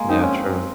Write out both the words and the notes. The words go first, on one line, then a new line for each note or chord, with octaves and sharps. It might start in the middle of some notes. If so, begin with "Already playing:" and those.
Yeah. True.
Already playing: G#3 A#3
C4 D#4
C#4